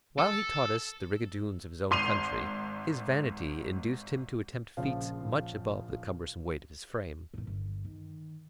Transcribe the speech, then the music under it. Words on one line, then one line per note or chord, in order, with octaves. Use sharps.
While he taught us the rigadoons of his own country, his vanity induced him to attempt feats much above the cumbrous weight of his frame.
A4
G#1 C6 C7 D#7 F7
A#1 C#3 F3 F5
G2 A#2
G1
D#3